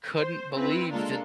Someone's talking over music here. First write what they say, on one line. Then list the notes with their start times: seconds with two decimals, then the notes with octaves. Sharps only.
couldn't believe that
0.16 C5
0.53 C4 E4 B4
0.93 G#3 A#3 D4 F4 A4 A#4